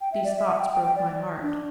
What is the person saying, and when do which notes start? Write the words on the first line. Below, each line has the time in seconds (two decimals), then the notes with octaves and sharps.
These thoughts broke my heart.
0.01 G5
0.12 E5
0.24 D5
0.37 E5
0.47 F#5
0.59 G5
0.71 G5
0.83 G5
0.96 D5
1.42 D4